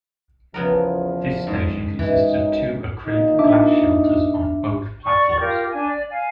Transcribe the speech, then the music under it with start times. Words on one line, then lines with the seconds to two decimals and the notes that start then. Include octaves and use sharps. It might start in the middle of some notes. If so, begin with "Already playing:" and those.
This station consists of two acrylic glass shelters on both platforms.
0.54 E2 C#3 F3 B3 A#4
1.47 G#2
1.99 F#2 E3 D#4
3.06 A#2 D#4
3.39 D4 E5 D6
5.06 D5 C#6
5.40 F4 G4 A#4
5.72 D4 G#5
5.86 D5
6.10 F5 G#5